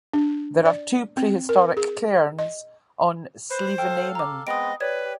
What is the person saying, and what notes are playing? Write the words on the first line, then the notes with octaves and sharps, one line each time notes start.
There are two prehistoric cairns on Slievenamon.
D4
D5
C4
A#4
G#4
D#5
B4 C5
A4 F5 G5
A#5 D6
G#3 B3 C4 D#5 D#6 D7
G4 B4 C#5 D5 G#6
G4